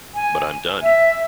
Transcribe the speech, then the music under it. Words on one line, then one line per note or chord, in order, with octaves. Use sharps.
But I'm done.
G#5
E5